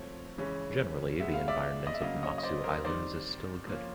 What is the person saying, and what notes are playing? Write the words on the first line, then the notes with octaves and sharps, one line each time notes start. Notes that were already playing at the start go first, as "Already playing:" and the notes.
Generally, the environment of Matsu Islands is still good.
Already playing: F3 A3 C4 C#5
C#3 E3 G#3 C#4
B2 G#3 B3 E5
F5
D5 E5
D#5
E5
C#3 F#3 A#3 D#5 F5
C#5 D#5
D#5
C5 D5
A#4 C5
D#3 G3 C4 D#4 C5 D5
F3 A#3 C#4